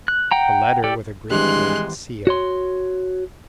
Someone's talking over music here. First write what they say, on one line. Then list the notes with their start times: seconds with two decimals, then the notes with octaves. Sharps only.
A letter with a great black seal!
0.08 F#6
0.31 F#5 G5 A#5
0.84 G4 A4 D5 G5
1.30 G#1 G2 E3 G3 G#3 C6 F#6
2.27 F#4 C#5 C6